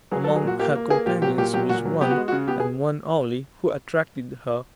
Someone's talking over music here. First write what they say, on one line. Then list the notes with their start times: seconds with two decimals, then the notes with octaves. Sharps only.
Among her companions was one, and one only, who attracted her.
0.11 F#3 G#4
0.24 A4
0.28 F#3
0.36 G#4
0.44 A#2 F#4
0.59 A#3 G4
0.75 A#3
0.90 A#3 G#4
1.06 A#2 G4
1.22 F#3 G4
1.38 A#2 G4
1.53 F#3 G4
1.69 A#2 F#4
1.85 F#3
2.01 B3 G4
2.11 F#4
2.17 G#3
2.28 F#4
2.32 C#3
2.47 B3 G4
2.60 G#4